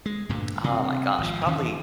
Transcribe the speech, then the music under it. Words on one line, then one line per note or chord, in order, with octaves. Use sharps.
Oh my gosh. Probably
G#3
G2 A#2 D3 A3
C3 C4
G#1 F3
E2 D#3 E3 C#4